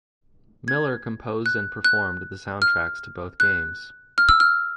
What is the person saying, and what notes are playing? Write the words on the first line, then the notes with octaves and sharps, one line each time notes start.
Miller composed and performed the soundtracks to both games.
G#6
F#6
F#6
F6
F#6
F6
E6
F6